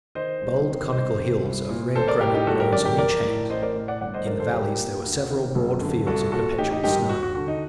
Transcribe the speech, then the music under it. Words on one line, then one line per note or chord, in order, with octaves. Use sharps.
Bold conical hills of red granite rose on each hand; in the valleys there were several broad fields of perpetual snow.
D#3 C5 D#5
C2
C3 D#3
C2 C5 D#5
C3 D#3
C2
A#2
A1 A4 C5
A#4 D5
A2 G4 A#4
D#4 G4
G1 F#4 A4
G4 A#4
F#2 D3 A#4 D5
G4 A#4
A#1 A#4 D5
A2
A1 C5 D#5
A#4 D5
A2
D5 F#5
G1 D5 F#5
C5 D#5
F#2 D3 A#4 D5
A4 C5
C2 G4 A#4
A#2
D2
C3 D#3
F#1
F#2 D3
C2 F#4 A4
A#2 F#4 A4
A1 D#4 G4
D#4 G4
G2 D#3 D#4 G4
D#2 F#4
F#4
D3 F#4
D#4